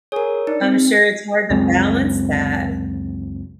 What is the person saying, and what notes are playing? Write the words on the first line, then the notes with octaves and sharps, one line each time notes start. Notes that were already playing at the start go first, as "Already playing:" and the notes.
I'm sure it's hard to balance that.
G#4 A#4 C#5
D4 D#4
C4
C#2 F#2 G#3 C4